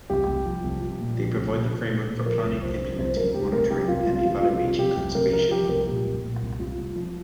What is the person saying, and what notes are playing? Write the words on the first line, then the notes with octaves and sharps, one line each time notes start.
They provide the framework for planning, implementing, monitoring and evaluating conservation work.
C2 G4
C2
F3
C2
F3
A#2
F3
C2
A#2
A#2
A#2
A#2
F3 A#4
C2
C2 C5
C2
C2 C5
C2 A#4
C2 G4
C2 A#4
C2 G4
C2 F4
C2 F4
C2 F4
C2 F4
C3
C3 G4
C2
C2 A#4
F3 A#4
F3 G4
C2 A#4
A#2 G4
C2
A#2
C2
C2 F4
C2
F3